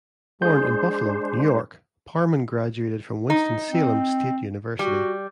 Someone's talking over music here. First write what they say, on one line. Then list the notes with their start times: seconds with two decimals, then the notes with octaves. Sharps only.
Born in Buffalo, New York, Parmon graduated from Winston-Salem State University.
0.42 G#3 D4 G#4 C5 G6
3.30 D#4
3.71 C4
4.79 G3 F#4